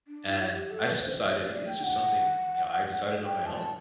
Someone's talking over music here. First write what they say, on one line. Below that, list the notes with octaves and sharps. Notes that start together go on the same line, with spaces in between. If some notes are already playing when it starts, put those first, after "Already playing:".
And I just decided it was just something, you know, I decided on my own.
D4
E4
G4
A4
B4
C5
C5
D5
G5
F#5
G5
A5